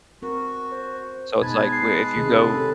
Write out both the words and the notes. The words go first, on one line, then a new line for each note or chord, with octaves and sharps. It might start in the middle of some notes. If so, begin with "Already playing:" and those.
So, it's like, we if you go
C4 F#4 A#4
C5
B2 G#3 D#4 B4 A5 G#6
C7
C3 D#3 G#4
C#4 G4 A4